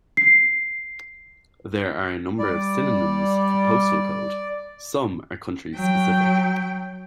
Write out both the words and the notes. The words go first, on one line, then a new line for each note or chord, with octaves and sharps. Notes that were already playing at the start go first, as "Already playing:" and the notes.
There are a number of synonyms for "postal code"; some are country-specific.
C7
G3 D5
F#3 G5